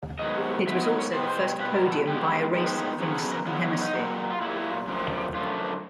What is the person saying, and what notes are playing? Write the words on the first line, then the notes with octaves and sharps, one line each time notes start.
It was also the first podium by a racer from the southern hemisphere.
G#2 D#3 F#3 B3 D#5
G#2 D#3 F#3 B3 E5
D#5
C#5
B2 G3 B3 C5
B4
C5
B2 G3 B3 B4
A#4
A4
G2 D#3 G#3 B3 G4
G2 D#3 G#3 B3
C#3 F#3 B3
A4
A#4
C#3 F#3 B3 F4
D#4
E4
D#4
D#4
A#2 F#3 A#3
F4
A#2 F#3 A#3 E4
F#2 D3 F3 A3
F#2 D3 F3 A3 F4